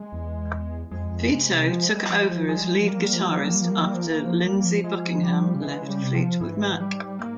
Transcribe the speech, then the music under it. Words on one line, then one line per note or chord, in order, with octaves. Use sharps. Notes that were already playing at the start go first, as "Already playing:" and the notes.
Vito took over as lead guitarist after Lindsey Buckingham left Fleetwood Mac.
Already playing: G#3
E2
F2 G#3
F2
C3
C3
F3
G3
F3
F3
F3 G#3
G3
F3
G3
F3
G3 A#3
F3
G3
F3
G3
F3
G3
F3
G3
F3
G3
F3
G3
F3
E3
F3
G3
F3
F3 G#3
G3
C#3
E3 G#3
C#3
G3
C3
F3
G#2 E3
G3
A#3